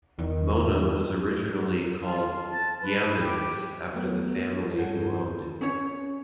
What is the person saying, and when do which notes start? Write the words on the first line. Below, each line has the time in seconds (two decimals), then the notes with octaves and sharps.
Mona was originally called Yeamans after the family who owned it.
0.19 E2 D#3
2.02 F4
2.48 A5
2.82 B4
3.21 G4
3.94 F#3 A3 B3 A#4 C#5
4.79 G2 G#4 A4 F#5 G6 G#6
5.61 C#4 C#5